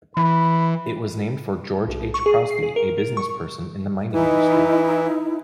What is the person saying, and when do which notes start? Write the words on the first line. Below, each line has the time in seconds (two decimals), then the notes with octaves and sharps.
It was named for George H. Crosby, a businessperson in the mining industry.
0.17 E3 B5
1.88 B1
2.14 C#6
2.26 G#4
2.51 C7
2.63 G#4
2.76 A#4
2.98 A#4
3.17 C#6
4.13 E3 D#4 E4